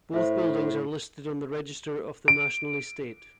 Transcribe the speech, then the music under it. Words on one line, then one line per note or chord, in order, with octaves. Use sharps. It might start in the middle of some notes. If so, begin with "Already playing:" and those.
Both buildings are listed on the Register of the National Estate.
A2 C5 E5
D7